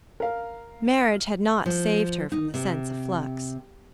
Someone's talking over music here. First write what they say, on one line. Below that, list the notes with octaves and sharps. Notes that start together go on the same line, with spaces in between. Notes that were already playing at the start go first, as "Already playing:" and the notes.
Marriage had not saved her from the sense of flux.
A#4 F5
F3
D#4
C3